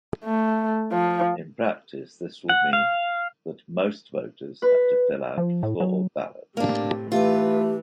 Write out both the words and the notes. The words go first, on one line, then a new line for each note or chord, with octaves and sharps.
In practice this will mean that most voters had to fill out four ballots.
A3
F3
F#5
F5
B4
F3
A2
F#3
A2 C3 A#3 D4
E3 A3 F4 G4 B4